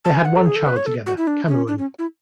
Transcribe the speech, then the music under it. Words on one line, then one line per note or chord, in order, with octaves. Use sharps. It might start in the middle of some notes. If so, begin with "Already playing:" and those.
They had one child together, Cameron.
A5
G#5
F#5
A4
G#4
A4
B4
C#5
A4
F#4
E4
D4
C#4
D4
C#4
E4